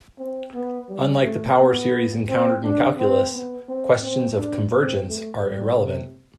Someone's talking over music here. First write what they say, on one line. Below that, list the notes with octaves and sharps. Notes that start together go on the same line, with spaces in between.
Unlike the power series encountered in calculus, questions of convergence are irrelevant.
C4
B3
G3
A3
B3
C4
D4
C4
B3
C4
C4
D4
C4
A3
G3
C3